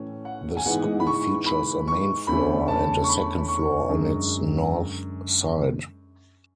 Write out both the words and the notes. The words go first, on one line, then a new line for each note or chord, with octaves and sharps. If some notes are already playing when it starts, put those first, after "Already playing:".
The school features a main floor and a second floor on its north side.
Already playing: A2 E3 A3 C#4
F#5
G#5
G#2 E3 G#3 B3 F#5
B5
C#6
B5
C#6
E2 D3 A3 C#4 B5
A5
C#6
B5
C#6
F#2 D3 G#3